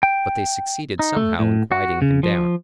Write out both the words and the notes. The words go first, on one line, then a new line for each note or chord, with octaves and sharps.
But they succeeded somehow in quieting him down.
G5
D#4
A3
A2
F#4
C#3
F3